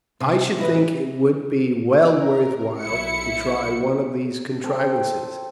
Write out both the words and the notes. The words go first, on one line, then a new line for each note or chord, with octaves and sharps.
I should think it would be well worth while to try one of these contrivances.
C3
A1 E4 B4 D#5
A#4
B1 E4 C#7
C4 A4 G5